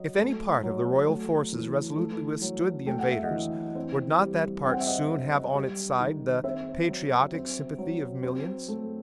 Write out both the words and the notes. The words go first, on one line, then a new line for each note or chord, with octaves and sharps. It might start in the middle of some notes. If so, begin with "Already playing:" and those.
If any part of the royal forces resolutely withstood the invaders, would not that part soon have on its side the patriotic sympathy of millions?
Already playing: F#3 D#5
A3
F#3
A3
E3
A3
F#3
A3 G5
F#5
E5
D#5 F#5
E3
C4
G3
C4 G5
F#5
E5
D#5 F#5
F#3
G3
D#3
C4 C5 E5
F#3
C4
F#3
C4
A3